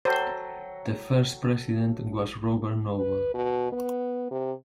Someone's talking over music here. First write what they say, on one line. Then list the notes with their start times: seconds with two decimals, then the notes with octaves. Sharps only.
The first President was Robert Noble.
0.05 F#3 A4 C5 G5
2.99 B4
3.34 B2
3.72 B3
4.31 C3